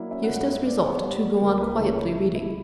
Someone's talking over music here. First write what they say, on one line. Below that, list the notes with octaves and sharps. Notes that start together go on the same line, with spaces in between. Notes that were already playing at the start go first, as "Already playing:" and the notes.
Eustace resolved to go on quietly reading.
Already playing: F#3 A#3 E4 D5
C#4 E5
F#5
G2
F#5
B3 F#5
B3 D5
B3 C#5
G3
A#3
C#2 A#4
A#3 B4
B4
C#3
C#5
E4 E5
E4
E4